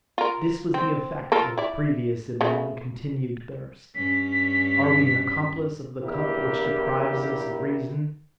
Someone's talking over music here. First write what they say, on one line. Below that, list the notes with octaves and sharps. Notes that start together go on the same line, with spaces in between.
This was the effect of previous and long-continued thirst. Are we an accomplice of the cup which deprives us of reason?
F4 A#4
C4
F4 A4 A#4
E4 D5
C#3 A3 A#3
G2 C#4 B6
E2 A#3 D4 E4 G4 A#4